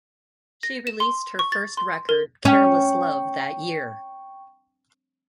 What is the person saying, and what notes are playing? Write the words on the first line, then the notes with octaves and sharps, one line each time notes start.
She released her first record "Careless Love" that year.
A#6
E7
C6
C#6
A6
C6
A#4
C#4 G5 C#6